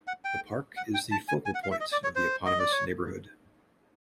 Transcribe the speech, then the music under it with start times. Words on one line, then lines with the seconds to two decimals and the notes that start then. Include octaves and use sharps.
The park is the focal point of the eponymous neighborhood.
0.07 F#5
0.25 G5
0.77 F#5
0.94 G5
1.12 A5
1.28 G#5
1.46 G#5
1.54 F#5
1.63 F5
1.71 E5
1.80 D#5
1.92 D5
2.04 C#5
2.15 C5
2.46 D#5
2.59 D5
2.72 C#5